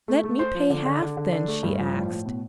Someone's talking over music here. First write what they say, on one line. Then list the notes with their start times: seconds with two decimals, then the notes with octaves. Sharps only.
'Let me pay half, then,' she asked.
0.08 A3
0.24 A3
0.39 C5
0.55 F3
0.70 D3
0.86 D3
1.02 D3
1.17 D3
1.32 D4
1.48 A3
1.63 G2
1.79 F3
1.94 A2
2.10 A2
2.26 B2